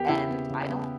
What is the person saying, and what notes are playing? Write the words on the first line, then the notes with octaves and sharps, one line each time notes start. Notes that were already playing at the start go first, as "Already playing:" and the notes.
and I don't
Already playing: E2 B3 G4 A#4
C#3 E4
B3
C#3
B3